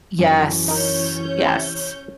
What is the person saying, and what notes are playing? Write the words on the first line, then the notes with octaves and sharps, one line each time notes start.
Yes, Yes.
F#2 E3
C#4 D#4 A#4 C#5 G6
C3 E4